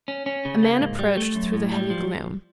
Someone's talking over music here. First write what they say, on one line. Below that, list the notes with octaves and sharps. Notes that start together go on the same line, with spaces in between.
A man approached through the heavy gloom.
C#4
C#4
C#3
A#3
G#2
G3
A3
F#2
A2
G3
F3